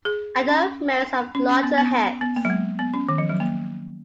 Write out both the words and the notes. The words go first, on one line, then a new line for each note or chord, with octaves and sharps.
Adult males have larger heads.
G#4
C#4
C#4
C#4
B3
B3
B3
A#3
F#3
G#3
B3
C#4
D#3
F3
F#3
A#3